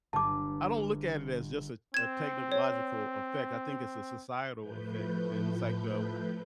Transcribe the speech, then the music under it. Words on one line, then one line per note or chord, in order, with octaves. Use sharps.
I don't look at it as just a a technological effect, I think it's a societal effect, and it's, like, uh,
G1 A5 D6
C4 G#6 E7
C#5
A2 F3 A3 B4 G6